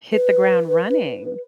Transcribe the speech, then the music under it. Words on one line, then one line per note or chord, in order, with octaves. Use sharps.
hit the ground running.
B4